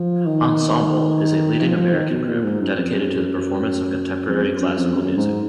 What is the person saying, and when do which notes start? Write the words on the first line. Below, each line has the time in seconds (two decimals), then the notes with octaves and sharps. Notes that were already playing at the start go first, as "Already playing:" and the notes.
Ensemble is a leading American group dedicated to the performance of contemporary classical music.
Already playing: F3
0.26 D#3
1.61 F3
1.76 F3
1.93 D#3
2.10 B2
2.27 A#2
2.44 G#2
2.61 F#2
2.77 F2
2.94 F#2
4.28 F2
4.45 F#2
4.62 F#2
4.78 F2
4.95 F#2
5.18 G#2